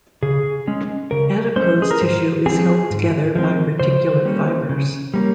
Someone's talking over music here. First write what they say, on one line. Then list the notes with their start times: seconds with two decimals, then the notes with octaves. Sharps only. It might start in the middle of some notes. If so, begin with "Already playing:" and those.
Adipose tissue is held together by reticular fibers.
0.23 C#3 G#4
0.67 G#3 C#4
1.11 C#3 A#4
1.56 G#3 C#4 C5
1.82 G#4
1.91 A#4
2.01 G#2 C5
2.46 F3 G#3 C4 G#4
2.90 G#2
3.35 F3 G#3 C4
3.80 C#3 C5
4.25 G3 A#3 C#4
4.69 C#3
5.14 G3 A#3 C#4